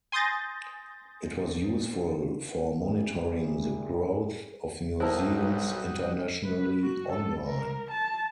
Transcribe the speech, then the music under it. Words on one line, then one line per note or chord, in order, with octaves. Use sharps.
It was useful for monitoring the growth of museums internationally online.
G#5 C6 D#6 G6 A6 A#6
A#2 G3 E4 G#4
B1 G3 D#4 E4 F#4 A#4 C5 A5
B4
F#4
A4
A#4
A5